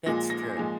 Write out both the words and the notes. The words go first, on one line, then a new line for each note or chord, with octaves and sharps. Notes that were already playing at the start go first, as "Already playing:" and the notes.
That's true.
A#2 F3 G#3 A#6
A#6
A#2 F3 G#3